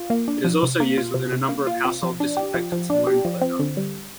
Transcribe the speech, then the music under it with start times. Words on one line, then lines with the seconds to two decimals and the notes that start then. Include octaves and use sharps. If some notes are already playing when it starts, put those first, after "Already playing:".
It is also used within a number of household disinfectants and wound cleaner.
Already playing: F4
0.10 A#3
0.28 D4
0.44 F3
0.63 C3
0.80 A#3
0.98 F4
1.14 C3
1.32 C3
1.49 A#3
1.67 F4
1.85 C3
2.03 F3
2.20 D4
2.37 G4
2.54 F3
2.72 F3
2.90 D4
3.07 G4
3.25 F3
3.41 C4
3.59 D3
3.77 G3